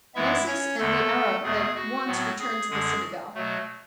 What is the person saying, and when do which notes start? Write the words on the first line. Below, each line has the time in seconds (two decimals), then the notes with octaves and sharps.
Nessus and the Arab at once returned to the citadel.
0.15 F#2 E3 G#3 B3 E4 E5
0.47 C#4 C#5
0.78 E2 D3 G#3 A3 A4
1.43 E2 B2 A3 G#4
1.75 F#4
2.06 A2 F#3 B3
2.39 G#4
2.70 F#2 D3 G#3 G#4
3.34 B2 F#3 A3